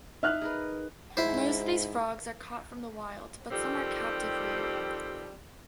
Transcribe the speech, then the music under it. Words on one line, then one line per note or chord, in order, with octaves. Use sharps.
Most of these frogs are caught from the wild, but some are captive-reared.
D#4 E5 F5 F6 F#6
G#4 A#4 B4
G#2 E4 C5
D#3 F3 G3 C4 G4 A4